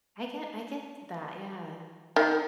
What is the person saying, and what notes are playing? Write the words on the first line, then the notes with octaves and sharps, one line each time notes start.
I get I get that. Yeah.
D#3